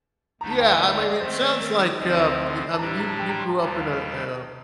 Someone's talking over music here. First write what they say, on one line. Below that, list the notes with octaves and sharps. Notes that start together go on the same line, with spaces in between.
yeah, I m I mean, it sounds like, uh I mean, you you grew up in a, uh,
D#2 D3 A3 D#4 A#5
A5
G5
D#5
D5
D5
D5
D#5
D#3 A3 C4 C5
D5
A#4
D#4
D2 D3 F3 C4 D#4
D5
C5
C5
A5
A2 G3 D4 G4 A#5
A#5
A5
G5
A#5
C6
A#5
D#2 D#3 G3 A#5
A5
F5
D#5